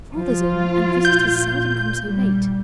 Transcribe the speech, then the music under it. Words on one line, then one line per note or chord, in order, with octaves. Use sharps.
"Father's in and visitors seldom come so late."
F3 F4
A#2 G6
G3